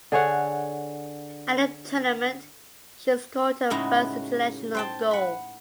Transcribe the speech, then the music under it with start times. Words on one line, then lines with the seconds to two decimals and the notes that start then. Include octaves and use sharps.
At the tournament she scored her first international goal.
0.12 D3 G#4 C#5 F#5
3.70 A2 C#3 G#3 D#4 E4 F#4
4.75 C5 G5 A5
5.11 F#5 B5